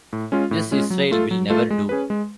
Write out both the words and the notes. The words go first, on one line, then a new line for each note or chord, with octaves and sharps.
This Israel will never do.
A2
G#3 C#4 F4
A2
G#3 C#4 F4
F#3
A3 F4 A4
F#3
A3 F4 A4
G#3
C#4 G#4 B4
G#3